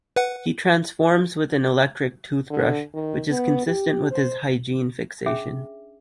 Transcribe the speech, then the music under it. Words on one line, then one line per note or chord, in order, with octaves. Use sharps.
He transforms with an electric toothbrush, which is consistent with his hygiene fixation.
B4 F#5
D3
D#3
B3
G4
C5
C#4 D4 G#4 E5